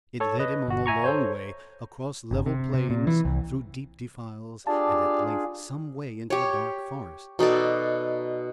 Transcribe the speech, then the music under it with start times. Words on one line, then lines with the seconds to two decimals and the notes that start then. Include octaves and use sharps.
It led him on a long way, across level plains, through deep defiles, and at length some way into a dark forest.
0.20 A4 C#5 A5
0.39 B4 D#5
0.67 G1 F#4
0.86 E5 G#5 A#5 C#6
1.04 A4 C5 C#5
2.31 G1
2.46 C3
2.74 C3
2.90 A#2
3.07 E3
3.25 C2
4.67 D4 F4 G4 G#4 D5 A5
6.30 G4 C#5
7.39 B2 D#4 A4 D5